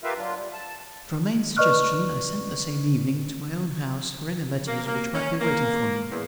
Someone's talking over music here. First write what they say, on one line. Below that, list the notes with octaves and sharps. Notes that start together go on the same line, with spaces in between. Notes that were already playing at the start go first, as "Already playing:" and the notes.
At Romayne's suggestion, I sent the same evening to my own house for any letters which might be waiting for me.
F4 G4 A#4 B4 E5 F5
F#3 D4 F4
G3
A5
B4 D5 D#5 C#6 F6 F#6
A#3
A#3
C#4
A#3
E2